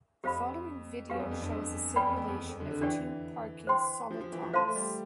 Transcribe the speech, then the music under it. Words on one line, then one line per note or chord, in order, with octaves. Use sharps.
The following video shows a simulation of two parking solitons.
F2 G4 C5 F5 B5
E2 G4 B4 F5
F2
F2
G2
F2
E2 B4 D5 G5 B5
F2
F2
E2
F2
E2
F2
D3
D3
E3 D4 G4 D5 G5
C5 G5 C6
F3
F3
E3
F3
A3 C5 F5 A5 C6
A3
G3